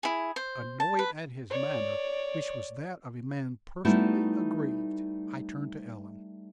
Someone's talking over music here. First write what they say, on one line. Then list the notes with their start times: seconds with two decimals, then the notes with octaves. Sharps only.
Annoyed at his manner, which was that of a man personally aggrieved, I turned to Ellen.
0.03 E4 G#4
0.36 C5
0.80 A5
0.99 B4
1.50 C#5 D5
3.85 G3 A3 B3 D#4 E4 F#4